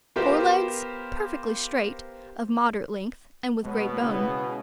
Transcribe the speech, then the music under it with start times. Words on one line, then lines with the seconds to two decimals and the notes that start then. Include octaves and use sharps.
FORE-LEGS--Perfectly straight, of moderate length, and with great bone.
0.16 B3 F4 G4 A#4 C5
3.65 B2 G#3 B3 C#5 D#6
4.02 C#3 E4 G4 G#5